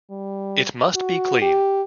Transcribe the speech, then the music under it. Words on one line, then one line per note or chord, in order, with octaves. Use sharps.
It must be clean!
G3
F#4
G4